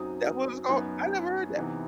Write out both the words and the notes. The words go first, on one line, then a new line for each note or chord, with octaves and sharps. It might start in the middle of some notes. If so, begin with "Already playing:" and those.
That's what it was called? I never heard that.
Already playing: F#2 F#3 C4 D#4 D#6
F#2 F#3 B3 D#4
C3 E3 B3 D#4